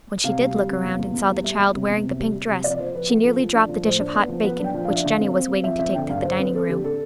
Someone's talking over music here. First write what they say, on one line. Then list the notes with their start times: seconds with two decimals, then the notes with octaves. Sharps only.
When she did look around and saw the child wearing the pink dress she nearly dropped the dish of hot bacon which Jennie was waiting to take to the dining-room.
0.24 C3 F5
0.39 G3
0.55 G3
0.70 C3
0.84 E2
0.99 E2
1.14 E2
1.30 G3
1.44 G3 E5
1.59 E2
1.75 C3
1.89 E2
2.04 C3
2.20 G3
2.34 G3
2.49 C3
2.64 F3 D5
2.79 F3 C5
2.95 F3 B4
3.09 B3 A4
3.24 F3
3.39 F3
3.54 D4
3.69 F3
3.84 A2 C5
4.00 D4
4.15 B3
4.29 F3
4.44 B3 B4
4.59 D4
4.64 G5
4.74 F3
4.85 D4 F5
4.96 E5
5.04 D3 F5
5.19 C4
5.35 C4
5.49 C4
5.64 F3 E5
5.79 C4 E5
5.94 D3 G5
6.09 G2 F5
6.24 D3 C5
6.39 C4 B4
6.54 C4 A4
6.69 D3 G4
6.84 D3 A4